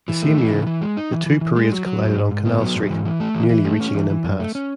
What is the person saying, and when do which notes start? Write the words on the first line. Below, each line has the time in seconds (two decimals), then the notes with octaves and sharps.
The same year, the two parades collided on Canal Street, nearly reaching an impasse.
0.08 E3
0.22 A3
0.38 E3
0.53 C#3
0.67 E3
0.81 G#3
0.97 D#4
1.12 E3
1.26 E3
1.41 E3
1.56 G#3
1.71 F#3
1.86 F#3
2.01 G#2
2.16 G#2
2.31 G#2
2.45 B3
2.61 F#3
2.75 G#2
2.91 E3
3.05 E3
3.20 A3
3.35 E3
3.50 E3
3.65 A3
3.80 C#4
3.95 E3
4.10 E3
4.24 F#2
4.40 A3
4.55 C#4